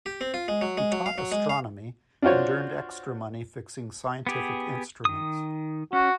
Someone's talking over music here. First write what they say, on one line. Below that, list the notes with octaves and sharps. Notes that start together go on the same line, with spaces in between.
He taught astronomy and earned extra money fixing scientific instruments.
G4
C4
F4
G#3
F#3
G#3
F#3
F5
F#3
G#3
F5
D4 F4 F#4 C5 C#5
B3 G4 G#4
D#3 D#6
C#4 F#4